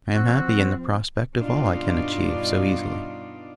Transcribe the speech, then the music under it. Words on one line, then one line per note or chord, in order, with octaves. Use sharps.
I am happy in the prospect of all I can achieve so easily.
F3 C4 F#4 E6 F#6
G2 B2 D4 D#4 F4 D5